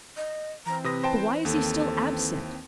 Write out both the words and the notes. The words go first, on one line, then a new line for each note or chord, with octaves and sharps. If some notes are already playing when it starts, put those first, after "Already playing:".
But why is he still absent?
D#5
E3 C4 A#5
C3 B4 D#6 A#6
C5 G5 A5
D#2 A4